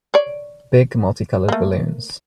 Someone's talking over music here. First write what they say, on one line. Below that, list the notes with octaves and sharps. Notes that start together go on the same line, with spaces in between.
Big multicolored balloons.
C#5 D5
A3 A#3